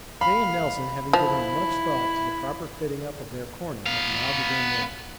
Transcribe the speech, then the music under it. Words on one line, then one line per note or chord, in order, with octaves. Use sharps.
Day and Nelson, having given much thought to the proper fitting up of their corner, have now begun work.
F5 B5
F3 E4
B3 F5